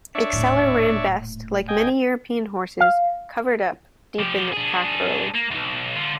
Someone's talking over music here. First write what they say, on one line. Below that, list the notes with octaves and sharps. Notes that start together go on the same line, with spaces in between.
Exceller ran best, like many European horses, "covered up"-deep in the pack early.
D4 C#5 E5
D#1 A2
D#5 G5 G#5
F5
F3 G4
D4 G#4
A#3
B1 E2
D3 F4